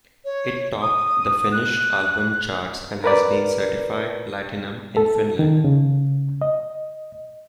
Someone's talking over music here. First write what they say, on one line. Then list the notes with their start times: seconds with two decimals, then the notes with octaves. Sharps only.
It topped the Finnish album charts and has been certified Platinum in Finland.
0.25 C#5
0.82 D#6
1.52 F#6
3.04 A#4 B4 D5
4.97 A4
5.39 D#3
5.64 C#3
6.42 D#5